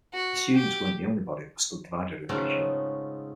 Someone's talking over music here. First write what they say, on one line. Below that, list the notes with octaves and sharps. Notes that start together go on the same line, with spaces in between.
The students weren't the only body that stood divided over the issue.
F#4
G4
G#2 C#3 A3 B3 C#4 F4